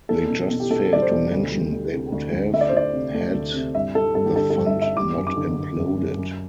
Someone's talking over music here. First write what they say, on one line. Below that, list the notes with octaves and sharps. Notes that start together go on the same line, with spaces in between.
They just failed to mention they would have, had the fund not imploded.
E2 A4
B2
B2
G4
B2 A4
G3 D5
C5
B2
D2
G3
D2
C3
D2
D2
D2 E5
D5
C5
D2 D5
C3
A3
D2
C3
G2 E5
G3 A4
G2 A4
G4
D3 A4
A4
G2
E5
G3
E5
G3 D6
F#2
D6
D3
D3
F#2
F#2
F#2